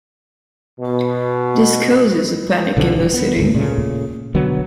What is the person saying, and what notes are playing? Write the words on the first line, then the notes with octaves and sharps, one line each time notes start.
This causes a panic in the city.
B2
B1 D3 F3 C4
D#1 G2 E3
B3
G#1 D2
A#2 C#3 A3
B1 D3 F#3 B3